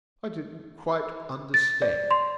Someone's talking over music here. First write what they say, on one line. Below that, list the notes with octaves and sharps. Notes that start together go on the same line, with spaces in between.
"I didn't quite understand."
A6
D5
C6